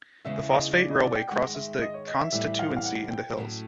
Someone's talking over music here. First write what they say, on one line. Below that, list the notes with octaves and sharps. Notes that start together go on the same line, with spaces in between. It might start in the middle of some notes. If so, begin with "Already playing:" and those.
The phosphate railway crosses the constituency in the hills.
E2 C#3 E3 G#3 E5
D#5
D5
D#5
D5
G5
G#2 D#3 G#3 F#5
E5
D#5
C#5
D#5
E5
A2 E3 G3 C4 E5
F5
F5
F#5
G5
A2 F#3 A3 C#4